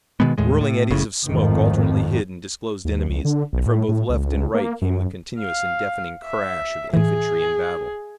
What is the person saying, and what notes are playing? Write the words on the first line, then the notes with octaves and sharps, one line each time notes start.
Whirling eddies of smoke alternately hid and disclosed enemies, and from both left and right came the continuous and deafening crash of infantry in battle.
B2 D#3 G#3 B3
D#2 A2 G#3
A2
F#1 A2 C#3
G#1 F2 A2 D#3 F3
D#2
C#2
D3
B1
A2
A2
C#2
A#3
F#2
F5
E5
A2 E3 G#4